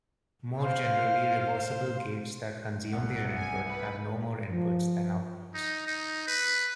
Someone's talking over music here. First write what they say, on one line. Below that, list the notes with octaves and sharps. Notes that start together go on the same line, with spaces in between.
More generally, reversible gates that consume their input have no more inputs than outputs.
C5 F5
C2 A2 F#5
G#5
B4
F3
D#4
D#4
B4